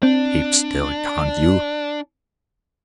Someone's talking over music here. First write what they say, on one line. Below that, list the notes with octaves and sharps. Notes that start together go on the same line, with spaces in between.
"Keep still, can't you?"
C4 D4